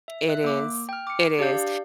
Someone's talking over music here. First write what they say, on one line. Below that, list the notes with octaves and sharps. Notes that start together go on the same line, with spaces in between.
It is, it is,
E5
E5 F#6
A#3 D6
G5 F6
D6 C#7
D4 G4 D5 F5 G6